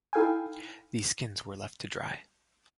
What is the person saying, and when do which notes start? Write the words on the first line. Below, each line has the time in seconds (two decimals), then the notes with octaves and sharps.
These skins were left to dry.
0.13 D#4 E4 A4 F5 G5 G#5